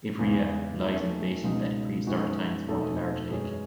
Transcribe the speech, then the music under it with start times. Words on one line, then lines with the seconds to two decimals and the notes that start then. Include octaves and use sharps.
Ivrea lies in a basin that in prehistoric times formed a large lake.
0.19 E2 C#3 E3 G#3
0.81 E3 A3 D#4 F#4
1.43 C#2 B2 G#3 D#4
2.07 F#2 E3 G#3 D#4 F#4
2.68 E2 B2 A3 D#4 A4
3.30 F#2 E3 G#3 C#4 G#4